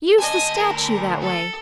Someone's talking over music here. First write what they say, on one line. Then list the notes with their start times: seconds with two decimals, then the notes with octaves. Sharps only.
"Use the statue that way."
0.19 D2 D#5 G#5 A5
0.57 A#4
1.21 A4